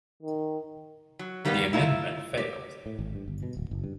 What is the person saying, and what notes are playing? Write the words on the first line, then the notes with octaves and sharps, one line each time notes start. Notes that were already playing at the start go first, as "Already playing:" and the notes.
The amendment failed.
D#3
F#3
D#3 G3 A#3 B3 D#4
E4 F4 A#5
G4
A2
G#1
G2
G1
B2
D1
F#1
G2